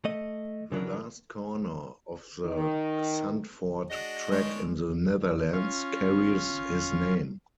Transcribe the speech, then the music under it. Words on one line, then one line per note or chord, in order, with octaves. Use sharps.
The last corner of the Zandvoort track in the Netherlands carries his name.
A3 D#5
C#3 E3 F#3 D4 A#4
D#3
G#3 D4 F#4 D#5
D#3 G#3 D4 C#5
C#4 F4